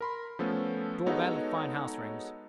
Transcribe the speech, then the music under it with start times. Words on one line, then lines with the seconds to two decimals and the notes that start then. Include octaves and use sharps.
Door-bell of fine house rings.
0.01 A#4 B5 C6
0.39 F3 A3 B3 C#4 A4
1.06 G#3 B3 D#4 F#4 A4 C#5